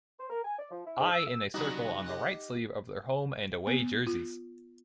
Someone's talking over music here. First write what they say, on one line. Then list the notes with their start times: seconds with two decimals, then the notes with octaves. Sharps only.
I' in a circle on the right sleeve of their home and away jerseys.
0.19 C5
0.30 A#4
0.45 G#5
0.59 D5
0.71 F3
0.86 E4
0.99 G#2
1.11 E6
1.27 E6
1.54 C3 F#3 G3 B3 D#4 F#4 D5
2.06 G4 D#5 F#5
3.67 B3
4.07 F4